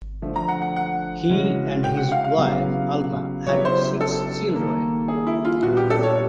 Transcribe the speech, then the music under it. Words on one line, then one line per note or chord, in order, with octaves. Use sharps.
He and his wife Alma had six children.
D3 F3 A3
A#5
F#5
F#5
F#5
C#3 E3 G#3 C#4 F#4
G5
F#5
F5
F5
C#3 F#3 B3 E4 G4
C#3 F#3 B3 E4 G4 C#5
C5
A4
D#3 G3 A#3
G#4
E4
F4
A#2 G3 B3 F#4
G4
A4
C#5